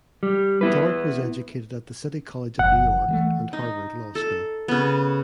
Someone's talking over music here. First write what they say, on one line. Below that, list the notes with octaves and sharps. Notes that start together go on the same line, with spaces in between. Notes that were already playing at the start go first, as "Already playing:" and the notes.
Thorpe was educated at the City College of New York and Harvard Law School.
G3
B3 E4 B4
F#1 F3 F#5
E3 G3 A3
D#4
A4
C#3 B3